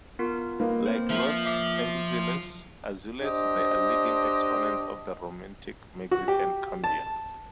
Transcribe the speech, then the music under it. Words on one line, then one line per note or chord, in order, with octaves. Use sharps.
Like Los Angeles Azules, they are leading exponents of the romantic Mexican cumbia.
B3 F4 A#4
A#3 D#4 B4
C4 C5
F3 E5
E5 D6
D4 G4 C5 D#5
F#4
G4
A5